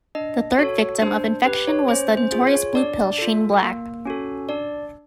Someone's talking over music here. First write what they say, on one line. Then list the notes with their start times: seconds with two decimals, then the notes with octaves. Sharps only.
The third victim of infection was the notorious bluepill Shane Black.
0.15 D4 D#5
0.58 F#4 A4 C#5
1.02 D4 C5
1.45 G4 B4
1.67 C#5
1.88 C#4 C5
2.17 C5
2.32 F4 G#4
2.47 C#5
2.75 D4 D5
3.19 F4 A4
3.62 A#3
4.06 C#4 F#4 A4
4.49 D4 D5